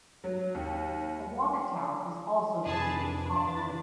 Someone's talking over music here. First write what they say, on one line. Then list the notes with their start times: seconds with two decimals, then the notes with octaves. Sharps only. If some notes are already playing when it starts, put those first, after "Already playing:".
A water tower is also located atop the roof.
0.24 F#3
0.55 D#2
2.66 F2 C3 G#4 B4 A5
2.99 D4
3.47 E3 B4 A6